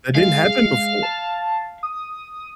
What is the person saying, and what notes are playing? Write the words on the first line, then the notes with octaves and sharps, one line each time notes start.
that didn't happen before,
G#3 F5
A5
D#6